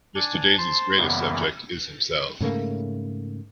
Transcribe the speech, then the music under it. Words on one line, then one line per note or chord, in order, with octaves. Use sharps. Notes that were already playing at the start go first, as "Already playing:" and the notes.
Mr. Daisey's greatest subject is himself.
D4 D5 G#5 A6
C5 A5 C6
F#2 C#3 E3 G3 A#3 B3
G#2 C#3 A3 A#3